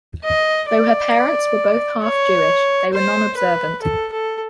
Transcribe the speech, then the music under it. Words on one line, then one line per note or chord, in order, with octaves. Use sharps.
Though her parents were both half-Jewish, they were non-observant.
D#5
D5
C#5
C5
B4
A4
A4